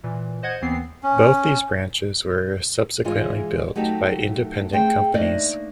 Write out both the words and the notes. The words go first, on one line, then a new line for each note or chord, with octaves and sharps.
Both these branches were subsequently built by independent companies.
A#2 E3
C5 D#5 F#5 G#6
D#2 E3 B3 C4 C7
C#4
G#2 E3 G#3 F4
F#3 A3 D#4 G4 A4
A3 C4 G#4 C5 G5
A3 A#3 D4 D#4 D5 D#5